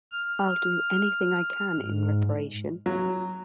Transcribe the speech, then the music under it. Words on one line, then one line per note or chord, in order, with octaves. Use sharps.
I'll do anything I can in reparation.'
F6
G#2
F#3